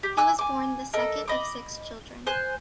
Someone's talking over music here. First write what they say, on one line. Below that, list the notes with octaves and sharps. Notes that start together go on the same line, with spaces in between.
He was born the second of six children.
G4
G#5 D6 E6 F#6
G#5 D6
A4 A#4 D#5
D#5 B5 D6
C5 G#5 F#6